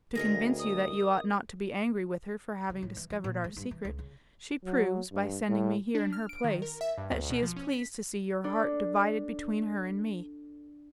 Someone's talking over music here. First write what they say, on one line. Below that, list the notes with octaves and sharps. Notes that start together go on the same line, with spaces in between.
To convince you that you ought not to be angry with her for having discovered our secret, she proves, by sending me here in her place, that she is pleased to see your heart divided between her and me.
D2 G#4 A#4 D#5 A#6
D#6
C#3
A2
E3
F3
A#2
G#3
G2
E3
C#2
C#3
F#3
G2
A2
D4
F6
D7
D#3
A#4
E5
G2
D2
B2
F3
C#4
B6
D4 A4